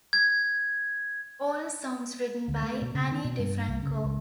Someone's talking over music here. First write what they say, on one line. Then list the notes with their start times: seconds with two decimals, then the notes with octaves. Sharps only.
All songs written by Ani DiFranco.
0.13 G#6
2.48 D2
2.62 A3
2.82 B2
2.95 C#3
3.11 D#3
3.24 B2
3.39 G2
3.68 C2
3.83 C#3
4.04 C#2